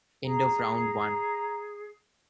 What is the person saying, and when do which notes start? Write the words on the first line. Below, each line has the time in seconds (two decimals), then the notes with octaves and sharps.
End of round one.
0.24 G#4 A#5